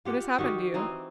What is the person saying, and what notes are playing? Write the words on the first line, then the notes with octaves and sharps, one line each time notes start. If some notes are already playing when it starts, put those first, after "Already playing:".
What has happened to you?
F4 G4 F#5
D#3 F#4 G4
E3 C4 D#4